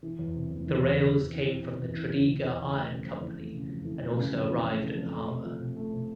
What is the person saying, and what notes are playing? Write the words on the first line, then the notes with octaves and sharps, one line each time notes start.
The rails came from the Tredegar Iron Co, and also arrived at the harbour.
E3
E2
C3
E2
E3
E2
C3
E2
E3
E2
C3
E2
E3
E2
C3
E2
E3
A3
C#3
F2
E3
A3
C#3
F2
E3
A3
C#3
F2
E3
A3
C#3
F2
A3
C3
F3
C3
A3
C3